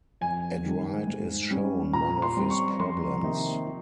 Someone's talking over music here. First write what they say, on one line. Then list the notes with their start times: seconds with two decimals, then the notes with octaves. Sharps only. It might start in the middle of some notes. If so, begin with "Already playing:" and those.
At right is shown one of his problems.
0.21 F2 G#5
0.64 D#3 G3
1.07 G#2
1.51 G3 C#4
1.93 A#2 A#5
2.22 C6
2.37 G3 C4
2.50 C#6
2.79 F2 C6
3.23 C3 D#3 A#3 D#4
3.66 F3